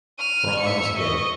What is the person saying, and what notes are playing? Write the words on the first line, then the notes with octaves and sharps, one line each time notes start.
Braun is gay.
F6 D#7
E5 C#7
D#5 C#6